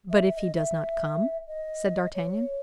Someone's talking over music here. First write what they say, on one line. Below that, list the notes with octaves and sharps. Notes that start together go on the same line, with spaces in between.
"But if he does not come?" said d'Artagnan.
E5
E5
D#5
E5
D#5
C#5